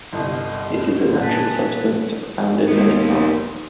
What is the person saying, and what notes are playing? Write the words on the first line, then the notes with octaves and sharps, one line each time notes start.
It is a natural substance found in many plants.
G1 C2 D#5
A#2 B4 G#5 A5
D#2 B3 D#4